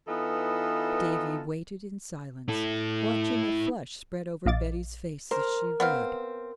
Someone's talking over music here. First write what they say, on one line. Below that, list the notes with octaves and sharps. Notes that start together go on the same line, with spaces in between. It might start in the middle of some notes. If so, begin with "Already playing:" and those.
Davy waited in silence, watching a flush spread over Betty's face as she read.
E3 B3 D#4 F4 A4
E4 A4
A#1 D#5 F5 D6 A6
A#4 C5
B3 C4 F5